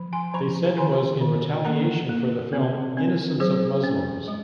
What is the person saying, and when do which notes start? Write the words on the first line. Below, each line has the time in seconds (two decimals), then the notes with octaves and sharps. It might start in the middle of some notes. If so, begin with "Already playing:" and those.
They said it was in retaliation for the film "Innocence of Muslims".
Already playing: F3
0.13 G#5 C6
0.34 F3 A#5 C#6
0.78 D#3 G#5 C6
1.21 D#3
1.65 A#3 F#5 A#5
2.09 A#3
2.53 C4
2.97 C4
3.40 F#3 G#4 C5
3.84 C#4
4.28 G#3